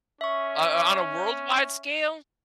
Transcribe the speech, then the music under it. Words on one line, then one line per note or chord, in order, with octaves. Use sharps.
Wha o on a worldwide scale,
C#4 E5 C#6